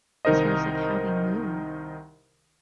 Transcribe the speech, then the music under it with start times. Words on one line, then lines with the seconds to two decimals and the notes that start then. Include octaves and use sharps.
as far as, like, how we move.
0.25 C2 D#3 D#4 A#4 C5 D#5